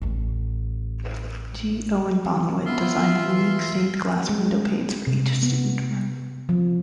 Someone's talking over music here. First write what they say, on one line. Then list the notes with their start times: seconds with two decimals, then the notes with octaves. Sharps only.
G. Owen Bonawit designed unique stained glass windowpanes for each student room.
0.02 A1 E2
2.65 B3 F4 E5 C6
3.16 E3
4.29 G#3
5.07 C3
5.43 B3
6.49 F3